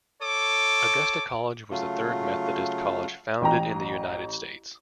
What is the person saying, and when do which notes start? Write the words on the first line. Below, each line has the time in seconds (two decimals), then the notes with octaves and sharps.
Augusta College was the third Methodist college founded in the United States.
0.21 A4 C#5 D6
1.71 C#3 F#3 A3 F4
3.41 A1 G5 A#5